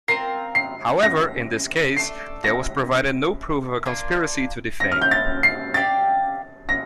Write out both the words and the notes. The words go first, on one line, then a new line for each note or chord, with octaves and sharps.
However, in this case, there was provided no proof of a conspiracy to defame.
C4 F4 A#4 C7
C7
A#6
A3 D4 A4 C7
A#6
A#3 D4 F4
A#6
F6
G6
A6
C7
C4 G4 D5 F5 A6
A#6